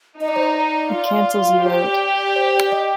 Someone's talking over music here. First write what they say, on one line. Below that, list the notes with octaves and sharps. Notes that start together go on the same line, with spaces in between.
It cancels you out.
D#4 D#5
D5
C5
D5
F4
G4 C5
D5
D5
C5
D5
D#5